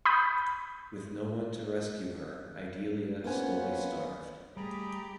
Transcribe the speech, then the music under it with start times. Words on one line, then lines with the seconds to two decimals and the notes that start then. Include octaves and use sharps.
With no one to rescue her, Idilia slowly starved.
0.05 B5 D#6 G6
3.24 A#3 B3 C#4 F4 C5 G#5
4.57 G3 A3 G4 G#4 A#5 B5